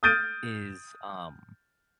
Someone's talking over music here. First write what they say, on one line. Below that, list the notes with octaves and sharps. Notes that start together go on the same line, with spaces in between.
is, um,
D#6 F6 G6 A6 D7 D#7